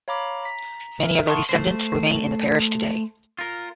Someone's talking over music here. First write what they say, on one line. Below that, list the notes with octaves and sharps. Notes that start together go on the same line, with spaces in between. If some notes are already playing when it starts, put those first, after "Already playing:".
Many of their descendants remain in the parish today.
C#5 F5 A#5 B5 D6
A#5 B6
A#4 E5
F#5 A5 C6 C#6 D#6
A3 C5
F4 A#4